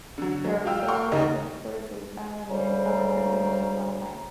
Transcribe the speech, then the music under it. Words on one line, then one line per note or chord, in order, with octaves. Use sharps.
There are several other stories to be found in the Chicago Tribune and Sun-Times.
D3 F#3
F#3
F4 G4 F5 G5 E6 F6
F#5 G5 C6 C#6 F6
D#2 C#3 D#4 G4 D#5
D2 C#3 G3 C5 A#5